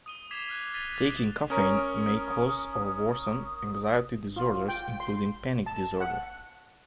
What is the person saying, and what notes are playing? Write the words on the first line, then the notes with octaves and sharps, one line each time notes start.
Taking caffeine may cause or worsen anxiety disorders, including panic disorder.
D#6 D#7 G7
D6 G#6 B6 C7 E7 F7
F6 F#6 G#6
G#6 A6 B6 D#7 F7 G7
F#6 B6 F7
C#4 A#4 C#5 D#6
F4
G5
C6
A5
F#5